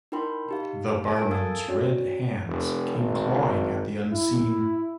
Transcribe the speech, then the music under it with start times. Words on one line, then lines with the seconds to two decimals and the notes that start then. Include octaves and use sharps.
The barman's red hands came clawing at the unseen.
0.12 D#4 E4 A#4 G5 B5 C6
0.49 D#4 G4 F5
1.17 F4 A#4 E5 G#5 A5 D7
1.31 A4 F5 D#6 E6 G#6 A6
1.68 C#4 F#4 C#5 D5
2.48 F1
2.95 G#1
4.12 E4